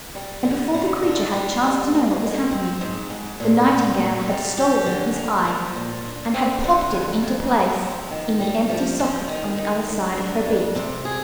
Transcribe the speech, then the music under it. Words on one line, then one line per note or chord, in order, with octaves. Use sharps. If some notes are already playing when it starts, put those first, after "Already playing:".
And before the creature had a chance to know what was happening, the Nightingale had stolen his eye, and had popped it into place in the empty socket on the other side of her beak.
G3
D3
D3
D4
G3
F2
A#3
G#3
C4
G#2
G#2
A#2
G4
A#2
G3
G4
D3
A#3
F3
A#2
D4
C4
D3
F2
F2
C4
F3
D#3
G3
F3
F3
D#3
D#3
D4
D4
F2
C3
G#4